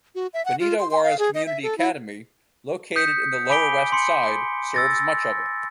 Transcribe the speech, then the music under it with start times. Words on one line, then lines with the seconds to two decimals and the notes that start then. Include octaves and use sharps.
Benito Juarez Community Academy, located in the Lower West Side, serves much of it.
0.15 F#4
0.34 E5
0.45 F#5
0.60 F4
0.80 C6
0.91 C6
1.03 F5
1.19 G#4
1.34 D#5
1.46 E5
1.63 A4
1.78 E4
2.96 D#6 G6 B6 C#7
3.49 G#5 B5 D6 B6 D7 G7
3.92 C6 C#7
4.74 E6 A6 A#6